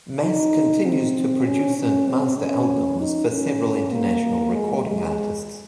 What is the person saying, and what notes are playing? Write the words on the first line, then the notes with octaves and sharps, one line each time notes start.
Mass continues to produce and master albums for several international recording artists.
D#4
C4
C#4
C#4
C4
C#4
D#4
C#4
A#3
G#3
G#3